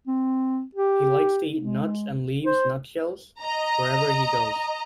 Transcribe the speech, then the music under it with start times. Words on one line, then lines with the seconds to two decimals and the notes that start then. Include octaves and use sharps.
He likes to eat nuts and leaves nutshells wherever he goes.
0.07 C4
0.75 G4
1.60 G#3
2.46 C5
3.41 D#5 A#5